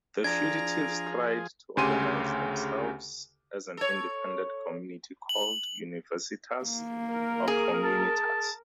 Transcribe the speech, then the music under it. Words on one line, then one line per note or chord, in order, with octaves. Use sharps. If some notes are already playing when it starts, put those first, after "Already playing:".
The fugitives tried to organise themselves as an independent community called "universitas" or "communitas".
F3 D4 G#4 A#5 G#6
D2 C#3 G4 G#5 C6 D#7
A4 C#5
F#7
A#3
A#4
G#4
A5